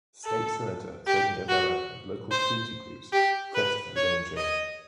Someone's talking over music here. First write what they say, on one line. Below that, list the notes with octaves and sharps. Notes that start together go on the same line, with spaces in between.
State Senator Tony Avella and local community groups pressed for the name change.
A4
G4
F#4
C5
G4
B4
C#5
D#5